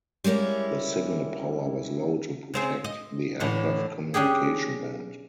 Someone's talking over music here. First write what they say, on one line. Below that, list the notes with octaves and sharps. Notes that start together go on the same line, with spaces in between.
The signal power was low to protect the aircraft communication band.
G3 G#3 A#3 C#4 E4
C#3 C4 G#4
D#5
A2 D3 E3
C#4 D4 G4 G#4